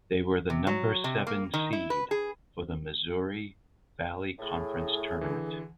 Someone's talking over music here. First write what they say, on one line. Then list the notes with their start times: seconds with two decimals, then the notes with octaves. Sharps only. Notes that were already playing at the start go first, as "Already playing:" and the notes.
They were the number seven seed for the Missouri Valley Conference Tournament.
0.50 C3
0.67 F#3
1.04 C3
1.27 A#3
1.54 D#3
1.73 E4
1.90 B4
2.11 G#4
4.39 A2 G#4
5.21 D3 E3